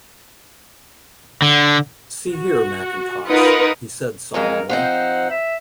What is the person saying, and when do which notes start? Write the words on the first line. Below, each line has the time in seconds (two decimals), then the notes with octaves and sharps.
"See here, Mackintosh," he said solemnly.
1.42 D3
2.33 F#4
3.26 D#4 F4 A#4 B4 F#5 D#6
4.34 F2 G#3 D#4 A#4
4.69 F3 C4 D#4 F#5
5.31 E5